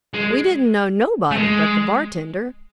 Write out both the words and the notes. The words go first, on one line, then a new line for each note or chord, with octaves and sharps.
We didn't know nobody but the bartender.
G#3
A3
G#3